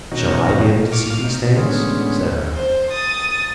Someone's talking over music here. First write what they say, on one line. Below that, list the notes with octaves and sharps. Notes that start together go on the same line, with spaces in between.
"Shall I be able to see these things?" said I.
B2 D#3 C#4 D#4 F#4
C#6 D6 F6
F5 F6
D#4
A2 D3 G#3 B3 C#4
C5
D#6 A6